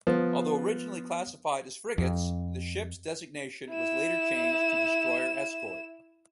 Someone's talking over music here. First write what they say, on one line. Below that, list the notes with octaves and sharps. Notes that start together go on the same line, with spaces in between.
Although originally classified as frigates, the ships' designation was later changed to destroyer escort.
F3 B3
F2
E4 E7